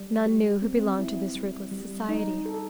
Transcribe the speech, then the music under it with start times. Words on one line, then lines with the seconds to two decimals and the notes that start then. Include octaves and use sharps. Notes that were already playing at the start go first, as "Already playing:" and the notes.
None knew who belonged to this ruthless society.
Already playing: G3
0.26 G4
0.62 C4
0.99 E4
1.35 G3
1.71 G3
2.09 D#4
2.46 A4